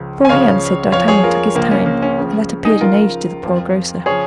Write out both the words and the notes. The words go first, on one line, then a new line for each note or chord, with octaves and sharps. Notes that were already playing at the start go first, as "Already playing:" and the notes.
Before he answered, D'Artagnan took his time, and that appeared an age to the poor grocer.
Already playing: C#2 C#3 F3
G#5
C#2 C#3 F3 C#5 F5
F2 F3 C#5 F5
G#4 C#5
F4 A#4
C#2 C#3 F3 A#3
C#4
A#3
C#4
C#2 C#3 F3
D#4 G#4
C#2 C#3 F3 F4 A#4
F2 F3
C#3 F3 G#4 C#5